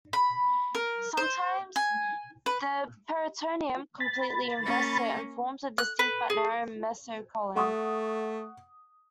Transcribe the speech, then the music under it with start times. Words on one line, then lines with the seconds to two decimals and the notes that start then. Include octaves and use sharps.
Sometimes the peritoneum completely invests it and forms a distinct but narrow mesocolon.
0.13 B5
0.75 A#4
1.17 C5
1.76 G#5
2.46 B4
4.00 B5 A6
4.62 A#3 C#4
5.78 F#6
5.99 B4
6.30 G#4
7.56 A3 F#5 C#6 D#6